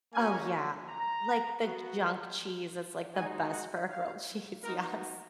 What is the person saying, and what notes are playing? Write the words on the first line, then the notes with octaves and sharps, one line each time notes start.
Oh, yeah. Like, the junk cheese is, like, the best for a grilled cheese. Yes.
A#3 C#4 F#4 G#5
A#5
B3 F#4
G#3 D#4 F#4 G#5
F#5
F5
B3 D#4 F#4 A#4